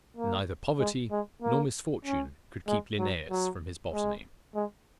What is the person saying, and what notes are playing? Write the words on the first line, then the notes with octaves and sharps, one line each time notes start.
Neither poverty nor misfortune could keep Linnaeus from his botany.
A#3
G#3
G#3
A#3
C#4
G#3
F#3
F#3
G#3
G#3